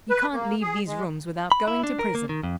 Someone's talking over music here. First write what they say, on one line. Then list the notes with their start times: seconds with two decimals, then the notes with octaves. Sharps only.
You can't leave these rooms without going to prison.
0.10 B4
0.33 A#3
0.62 G#4
0.87 G#3
1.52 B5
1.68 E4
1.83 D4
1.99 A#4
2.15 A#3
2.29 D#3
2.43 F2